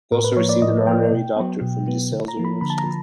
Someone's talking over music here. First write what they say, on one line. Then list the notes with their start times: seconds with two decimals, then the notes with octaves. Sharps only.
He has also received an honorary doctorate from DeSales University.
0.12 A2 A#4
0.24 B4
0.37 F3 A#3 C#5
0.49 D5
0.62 A2 D#5
0.87 F3 A#3 G5
1.12 B2
1.36 F#3 B3
1.62 B2
1.87 F#3 B3
2.11 D3
2.28 A#5
2.37 F3 A#3
2.45 B5
2.61 D3 B5
2.70 A5
2.78 A#5
2.87 F3